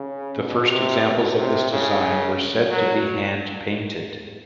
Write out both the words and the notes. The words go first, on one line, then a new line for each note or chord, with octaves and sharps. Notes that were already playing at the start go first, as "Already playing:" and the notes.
The first examples of this design were said to be hand-painted.
Already playing: C#3
B2
C3
B2
C3
C#3
F#3